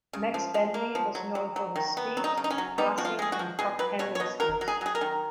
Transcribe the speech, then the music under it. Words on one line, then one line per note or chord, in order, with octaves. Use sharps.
Max Bentley was known for his speed, passing and puck handling skills.
C#3
F3
F3
A#3
F3
F#3
F#3
F#3
D#3
B3
F#3
D#4
C#3
D#4
C#4
F#3
B3 D#4
F3 F#4
F4
G#3 G#4
F#4
F3
B2 G#4
F#3 B4
B2 C#5
C#5
B2 D#5
F#3 A#4
F#3
G#4
F#3 G#4
A#4
D#3